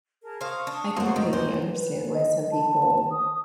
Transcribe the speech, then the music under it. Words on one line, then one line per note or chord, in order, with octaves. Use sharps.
I completely understand why some people,
G#4 A#4 A5
C5 F5 C#6 D#6
D4
F#2 A#3 C5 F#5
A2 D#3
D#2 C5 D#5 G#5
B4
D#5
A5
D#6